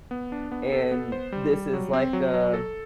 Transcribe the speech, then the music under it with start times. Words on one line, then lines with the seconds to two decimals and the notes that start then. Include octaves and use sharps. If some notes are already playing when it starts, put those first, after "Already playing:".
and this is like a
0.11 B3
0.32 D4
0.51 B3
0.72 A4
0.91 B3
1.12 C5
1.32 G3
1.52 G3
1.73 F#3
1.93 C4
2.13 F#3
2.34 F#3
2.53 A4